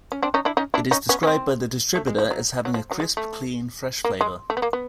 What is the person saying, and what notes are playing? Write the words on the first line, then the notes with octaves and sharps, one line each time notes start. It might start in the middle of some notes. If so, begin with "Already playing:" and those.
It is described by the distributor as having "a crisp, clean, fresh flavour".
C#4
C4 D4
C#4 D#4
D4 E4
C#4 D#4
D4 E4
C#4 D#4
B3 C#4
C#4
C4
A3
G#3
F3
F#3
F#3
F3
F#3
G#3
A3
A#3
G#3
A3
B3
A#3
B3